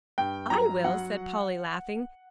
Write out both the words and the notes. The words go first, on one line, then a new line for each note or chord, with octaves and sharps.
"I will," said Polly, laughing.
G2 G5
F#3 A#5
F#3 F#5